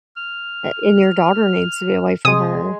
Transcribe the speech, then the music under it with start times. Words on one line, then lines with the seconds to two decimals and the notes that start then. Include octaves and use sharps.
a and your daughter needs to be away from her.
0.17 F6
2.25 C3 G#3 G#5 D#6